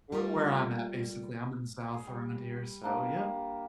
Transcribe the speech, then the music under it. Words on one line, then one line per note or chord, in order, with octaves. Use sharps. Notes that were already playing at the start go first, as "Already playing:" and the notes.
where where I'm at, basically, I'm in the South around here, so yep.
G3 A3 F4 A#4
G#4
G3
A#3 D4 G4